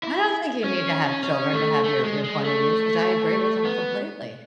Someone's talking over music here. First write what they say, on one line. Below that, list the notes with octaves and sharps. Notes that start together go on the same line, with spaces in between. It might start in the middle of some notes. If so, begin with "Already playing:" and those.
I don't think you need to have children to have your your point of views 'cause I agree with 'em completely.
E4
C#4
C#4
A3
A3
G#3
G#3
A3
B3